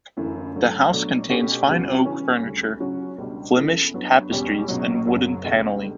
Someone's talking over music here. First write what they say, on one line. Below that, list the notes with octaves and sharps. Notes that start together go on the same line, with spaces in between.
The house contains fine oak furniture, Flemish tapestries and wooden panelling.
G1 F#2 E3 A3 E4
D3 F#3 A3
B2 F#3 A3 D4
B2 A3 C#4 G4
E2 C#3 G3 B3 F#4
C#3 E3 G3 C#4
D2 C#3 G3
C#3 F#3 C#4 F#4
C#2 B2 G3 D4
C#3 E3 B3 E4 A4
G2 F#3 B3
E2 B2 G3 C#4 G4
C#2 B2 F#3
F#1 F#2 C#3 F#3
C#2 B2 A3
D3 G3